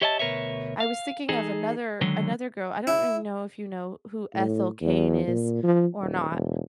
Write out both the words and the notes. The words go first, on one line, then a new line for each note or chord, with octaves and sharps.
I was thinking of another another girl, I don't even know if you know who Ethel Cain is or not,
G4 C#5 D#5 E5 G5 A5
D2 B2 A#4 B4 C#5 E5
F5
E3 D#4 G#4 A4
D3 D#3 F#3 G#3
E4
A2
E2
A#2
F3
D#1
E1